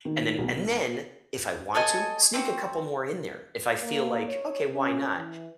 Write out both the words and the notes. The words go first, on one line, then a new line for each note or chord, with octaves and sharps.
and then and then if I want to sneak a couple more in there, if I feel like, "Okay, why not?"
D#3
B1
A4 C#5 D#5 G#5
C4 D4 F#4
A#3
C#5
C#4
E3